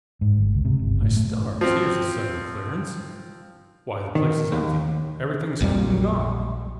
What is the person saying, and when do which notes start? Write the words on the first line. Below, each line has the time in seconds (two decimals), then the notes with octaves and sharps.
'My stars!--here's a sudden clearance!--Why, the place is empty,-- everything's clean gone!'
0.21 G#2
0.38 G1
0.53 C#2
0.65 C3
0.79 G1
1.02 A2
1.16 A3
1.61 F3 C4
4.15 D#3
4.52 D#2
5.61 A#1 F2 A#2 G3